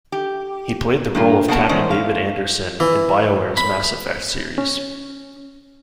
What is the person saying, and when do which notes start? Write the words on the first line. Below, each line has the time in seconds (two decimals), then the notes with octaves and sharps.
He played the role of Captain David Anderson in BioWare's "Mass Effect" series.
0.12 G4
1.15 G2 A#3 F4
1.48 B2 A#3 F#4 A5
1.69 E3 G#3 C#4 A#4 C5 D5
1.91 F5
2.80 E3
3.57 B5
4.58 C#4